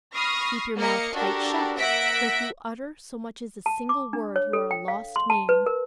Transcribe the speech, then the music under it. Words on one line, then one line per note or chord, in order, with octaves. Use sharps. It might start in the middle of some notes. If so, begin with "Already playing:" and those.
Keep your mouth tight shut, for if you utter so much as a single word you are a lost man.
B5 C#6 D#6 F6 A#6 C7
A#3 A#4 D#5 F5 C#7
D4 F#4 G4 A4 A#4
A#3 E5 F#5 A#6 B6 D7
A5
D6
D4
C#5
A4
G5
F5
C6
A5
B4
A#4